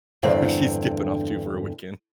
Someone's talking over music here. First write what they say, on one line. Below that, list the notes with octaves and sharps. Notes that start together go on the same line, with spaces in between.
who she's skipping off to for a weekend.
E2 G2 D3 C4